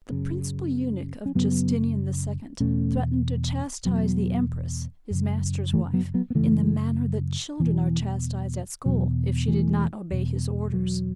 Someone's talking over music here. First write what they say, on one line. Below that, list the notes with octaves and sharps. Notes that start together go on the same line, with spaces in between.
The principal eunuch of Justinian the Second, threatened to chastise the Empress, his master's wife, in the manner that children are chastised at school, if she did not obey his orders.
F#2 C#3
C#4
F#2 C#3 F#3 B3
E2 B2 A3 C#4
E2 B2 F#3 B3
F#2 C#3
E3 A3
F#3 B3
F#3 B3
B3
F#2 C#3 E3 A3
E2 B2 E3
E2 B2 F#3
E3 A3
E2 B2
F#3